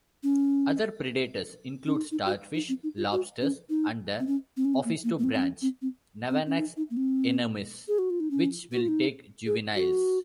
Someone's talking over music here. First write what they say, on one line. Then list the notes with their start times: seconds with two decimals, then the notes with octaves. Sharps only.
Other predators include starfish, lobsters, and the ophistobranch "Navanax inermis" which will take juveniles.
0.23 C#4
1.86 C#4
1.96 D#4
2.12 D#4
2.26 F#4
2.54 D#4
2.69 C4
2.83 D#4
2.97 F4
3.11 F#4
3.41 C#4
3.70 D#4
4.19 C4
4.27 C#4
4.57 C4
4.65 C#4
4.74 C4
4.85 A#3
5.04 A#3
5.19 A#3
5.24 C4
5.34 C4
5.42 C#4
5.62 C4
5.82 C4
6.30 C4
6.46 C#4
6.58 D#4
6.77 D#4
6.90 A#3
6.97 C4
7.88 G#4
7.99 F#4
8.10 F4
8.20 D#4
8.31 C#4
8.72 F#4
8.81 F4
8.88 D#4
9.46 G#4
9.75 F#4